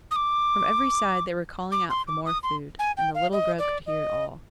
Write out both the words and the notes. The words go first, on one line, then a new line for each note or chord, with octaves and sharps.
From every side they were calling out for more food, and the little Grub could hear it all.
D#6
D6
D6
C6
D6
D#6
C6
G#5
G5
F5
D#5
D5
D#5